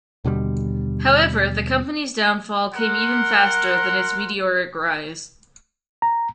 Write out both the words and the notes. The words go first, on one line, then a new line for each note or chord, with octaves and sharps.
However, the company's downfall came even faster than its meteoric rise.
D#2 B2 D3 G3
A#4 F#5 C6
A#5